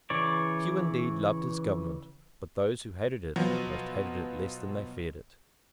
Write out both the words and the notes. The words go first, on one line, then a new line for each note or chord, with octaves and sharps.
Few indeed loved his government; but those who hated it most hated it less than they feared it.
C#3 E3 C#5 D5
B2 F3 F#3 B3